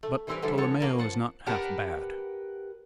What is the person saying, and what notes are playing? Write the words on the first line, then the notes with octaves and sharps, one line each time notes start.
But Tolomeo is not half bad.
A3
E3 G3 C4 E4 A#4 B4
D3 E3 F3 G3 E4 A4
B3 A4 C#5 A5
F3 A#3 A#4
F3 F#5 A5
G4 A#4 B4 F#5 G5 A5